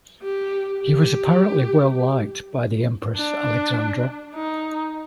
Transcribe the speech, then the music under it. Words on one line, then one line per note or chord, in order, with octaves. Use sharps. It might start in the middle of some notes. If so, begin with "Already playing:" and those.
He was apparently well liked by the Empress Alexandra.
G4
G4
D4
D#4